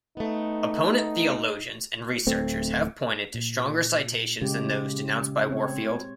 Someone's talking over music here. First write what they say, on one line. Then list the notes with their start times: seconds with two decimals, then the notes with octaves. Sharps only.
Opponent theologians and researchers have pointed to stronger citations than those denounced by Warfield.
0.17 A3 B3 D#4
2.27 D1 A3 C4
3.34 A#2
4.41 C#3 G#3 G4
5.50 C4 C#5